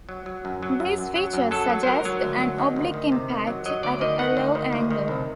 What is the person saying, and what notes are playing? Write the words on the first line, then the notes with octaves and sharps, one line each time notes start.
These features suggest an oblique impact at a low angle.
F#3
F#3
F#2
F#3
F#2
F#2
F#3
F#2
F#3 A4
F#3
C5
F#3 A#4
F#3
D2
F#3
D#3
D2
D#3
C3
D#3
F#3
F#3 D#5
D2 D5
D#3 D#5
D#3 F#5
D2
D#3
D2
D#3
C2